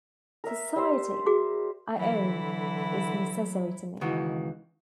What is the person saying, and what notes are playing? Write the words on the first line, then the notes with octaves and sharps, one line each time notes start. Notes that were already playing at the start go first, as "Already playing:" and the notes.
Society, I own, is necessary to me.
A#4 E5
G3 C5
F#4 G#4 D6
D3 E3 F#3 E4
C#2 D#3 E3 F#4